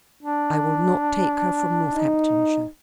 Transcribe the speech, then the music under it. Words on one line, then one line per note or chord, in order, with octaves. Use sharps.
I will not take her from Northamptonshire.
D4
D#4